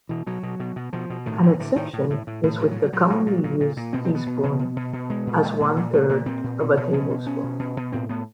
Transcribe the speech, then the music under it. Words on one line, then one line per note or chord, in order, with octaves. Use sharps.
An exception is with the commonly used teaspoon as one-third of a tablespoon.
B2 E3
B2 F#3
B2
B2
B2
B2 F3
B2
A2 D#3
A2
A2 D3
A2 D#3
A2
A2
A2
A2
A#2 F3
F#3
A#2
F#3
A#2 F#3
A#2
A#2
A#2
A#2
A#2
B2 C4
C4
B2
B3
B2
B2
B2
B2
B2
B2 G#3
A#2
A#2
A#2
A#2
A#2 A3
A#2 A#3
A#2 C4
A#2
B2
B2
B2 C#4
B2
B2 C#4
B2
B2
B2
A2 C4
A2 B3